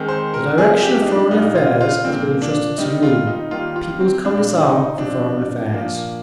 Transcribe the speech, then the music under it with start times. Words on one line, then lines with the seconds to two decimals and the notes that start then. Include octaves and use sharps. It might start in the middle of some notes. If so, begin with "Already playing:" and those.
The direction of Foreign Affairs has been entrusted to me, People's Commissar for Foreign Affairs....
Already playing: D#3 G#3 C4
0.08 C5
0.34 A#4
0.58 C3 F3 G#3 C4 G#4
0.82 G4
1.02 D#4
1.07 D4
1.31 A#2 G3 A#3 D#4
1.56 F4
1.81 F4
2.05 A#2 F3 A#3 C4
2.42 D4
2.78 C3 D#3 G3 C4 D#4
3.03 F4
3.27 D#4
3.51 D#3 G3 A#3 F4
3.76 F4
4.01 C4
4.25 A#2 G3 C4 D4
4.58 D4
4.61 D#4
4.98 C3 F3 C4 D4
5.72 A#2 F3 A#3